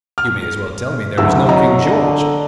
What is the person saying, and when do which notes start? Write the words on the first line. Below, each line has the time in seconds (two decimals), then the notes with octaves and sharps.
You may as well tell me there is no King George.
0.18 F6
1.18 F#1 D2 E6
1.49 F#3 D#5 A#5
1.83 D3